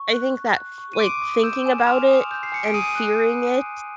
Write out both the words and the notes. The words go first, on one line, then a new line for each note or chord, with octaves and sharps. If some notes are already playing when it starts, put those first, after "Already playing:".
I think that, f like, thinking about it, and fearing it,
Already playing: C#6
F#6
C#6
F#6
C#6
D#7
C6 D6 D7
D#6
E6 G6 E7
G#5
E7
C6 F6 F7
D#6
G6
C7
G#5 C#7
D7
D#6 D#7
F#6